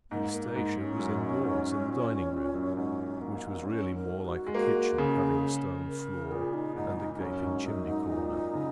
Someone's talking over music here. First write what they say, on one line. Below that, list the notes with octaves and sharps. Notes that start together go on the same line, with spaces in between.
Eustacia was indoors in the dining-room, which was really more like a kitchen, having a stone floor and a gaping chimney-corner.
G#2 A#3
A#3
G#2 A#3
C#4
F#2
G#2
A#2
A#2
F#2
G#2 C#4
A#3
C#4
A#4
F#4
G#3
A#3 F#4
C#3 G#4
A#4
A#2 G#4
D#4
G#2 D#4
D#4
D#4
F#2 C#4
G#2
F#2 D#4
G#2
A#2
G#2
A#2
C#3